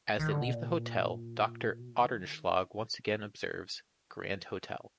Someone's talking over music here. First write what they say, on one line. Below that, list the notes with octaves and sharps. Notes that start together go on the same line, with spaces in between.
As they leave the hotel, Doctor Otternschlag once again observes, Grand Hotel.
D#3
D3
B2
A#2
B2
A#2
D3
D#3
D3
D#3